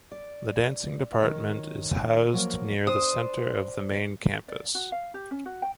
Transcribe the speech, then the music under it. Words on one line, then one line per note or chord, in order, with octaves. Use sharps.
The dancing department is housed near the center of the main campus.
D5
D#3 C#5
F3 F#3 A#3
D4 C5 D#6
D5
F#4
F5
G4
C#4
F#4
G5